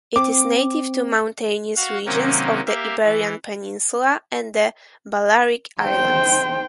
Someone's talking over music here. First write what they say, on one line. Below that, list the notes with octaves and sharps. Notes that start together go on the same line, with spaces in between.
It is native to mountainous regions of the Iberian Peninsula and the Balearic Islands.
C4 D6
F#4 F5 F#5
C3 D#3 F#3 A#3 C4 C#4
A#3 G4 E5 F5
E3
C5 G5